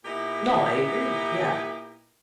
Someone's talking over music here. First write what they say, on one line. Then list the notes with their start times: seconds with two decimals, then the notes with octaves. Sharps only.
No, I agree, yeah.
0.04 A#2 A#3 B3 D#4 E4 G4